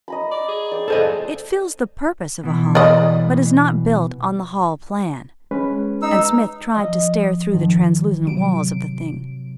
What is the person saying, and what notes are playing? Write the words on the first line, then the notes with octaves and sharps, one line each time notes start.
"It fills the purpose of a hall, but is not built on the hall plan." And Smith tried to stare through the translucent walls of the thing.
D#5 A#5 B5
D5
G#4
D5 G5
G#3 A4 C5 D#5
B2 E3
D5 D#5
G#3 C#4 B4
D#4 E6
F3 D#5
G#2 D#3 F3
C3 F#3 D7